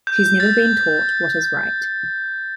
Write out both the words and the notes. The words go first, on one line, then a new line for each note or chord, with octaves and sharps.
She’s never been taught what is right.
G6
A6